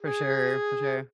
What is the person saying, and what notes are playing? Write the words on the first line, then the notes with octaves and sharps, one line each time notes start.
For sure, for sure.
G#4